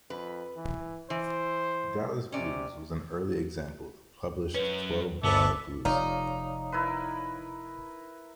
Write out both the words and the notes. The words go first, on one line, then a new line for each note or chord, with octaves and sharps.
"Dallas Blues" was an early example of published twelve-bar blues song.
F2 B4
E3
E3 C5
C3 C#4 D5
F#2 C#4 B4
G1 B3 A4 D5 E5
F1 D#4 C#5 D5 F5
E4 A#4 B4